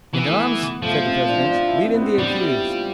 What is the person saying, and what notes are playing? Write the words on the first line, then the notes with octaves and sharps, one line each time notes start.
"Gendarmes," said the president, "lead in the accused."
E3 B3
A3
B3
F3 A3
C4
D4
D4
E4
C4
B3
C4
G3 D4
E4
F4